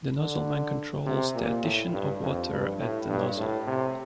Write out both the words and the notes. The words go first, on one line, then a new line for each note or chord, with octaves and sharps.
The nozzleman controls the addition of water at the nozzle.
D3
C3
A#2
A2
G2
F2
G2
A2
G2
A2
C3